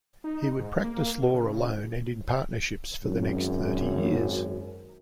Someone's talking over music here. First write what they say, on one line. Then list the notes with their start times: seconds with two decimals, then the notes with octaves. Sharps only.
He would practice law alone and in partnerships for the next thirty years.
0.24 D#4
0.59 G#2
0.84 A#3
1.22 B2
1.34 C#3
3.03 G#1 F#2